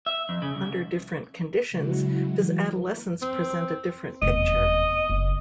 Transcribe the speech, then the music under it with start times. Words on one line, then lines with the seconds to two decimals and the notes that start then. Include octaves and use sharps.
Under different conditions does adolescence present a different picture?
0.06 E5
0.29 F2
0.42 C#3
0.55 C2
1.70 C#3 F#3 G#3 E4 F#4
2.31 E3 F#3
3.22 C4
4.22 F1 E2 D#5
5.09 F#1